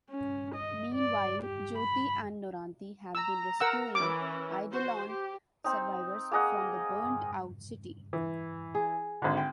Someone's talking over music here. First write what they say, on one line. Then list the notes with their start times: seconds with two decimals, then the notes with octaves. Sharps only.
Meanwhile, Jothee and Noranti have been rescuing Eidelon survivors from the burnt-out city.
0.10 C#4
0.55 D#5
0.95 D5
1.42 G4
1.78 B5
3.15 A#5 E6
3.60 A#4 F#5 E6
3.95 E3 C#4 D6
4.70 F#4 C5
5.07 G4
5.64 C4 D#4
6.31 A#3 G#4 D#5 F#5
8.13 E3
8.75 G#4
9.22 G#1 D3
9.37 G5